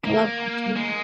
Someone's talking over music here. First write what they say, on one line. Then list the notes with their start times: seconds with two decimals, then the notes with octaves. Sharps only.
I love watching.
0.05 A#3
0.76 G#3